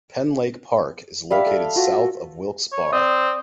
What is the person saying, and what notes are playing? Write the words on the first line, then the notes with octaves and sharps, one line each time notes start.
Penn Lake Park is located south of Wilkes-Barre.
G3 E5 F5
A4
F4 F#4
C#5
C4 D5 D#6